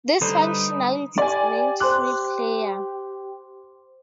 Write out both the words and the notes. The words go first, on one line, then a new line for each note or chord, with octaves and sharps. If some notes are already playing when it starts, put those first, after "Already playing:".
This functionality is named Freeplayer.
D3 G3 D#4 B4 C5
G4 D5 G#5
C5 C6 D6 F#6